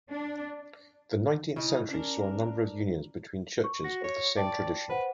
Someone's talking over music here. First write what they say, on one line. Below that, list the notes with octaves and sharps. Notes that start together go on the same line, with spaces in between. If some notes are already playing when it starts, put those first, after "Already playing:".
The nineteenth century saw a number of unions between churches of the same tradition.
D4
C#3 D#4 E4
C#4 D4 A#4
C#6
F#4 A#6
C#5
D5 G5 A5 A6
B4 C5 F#5